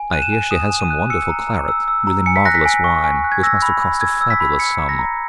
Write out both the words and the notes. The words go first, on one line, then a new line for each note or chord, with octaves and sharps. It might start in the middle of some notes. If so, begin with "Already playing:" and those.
I hear she has some wonderful claret, really marvellous wine, which must have cost a fabulous sum.
Already playing: G#5
F#6 D#7
E7
G#5
D#6 E7
G#5
D#7
F#6
E6 C#7
A#5
A#5
E6
E6
A#5
G#5 C#7
B6
F#6 A#6
B6
G#5
C#6
G#5
F#6
G#6
E6 A#6
B5
B5
E6 G#6
E6
B6
B5
E6 C#7
A#5
A#6
A#5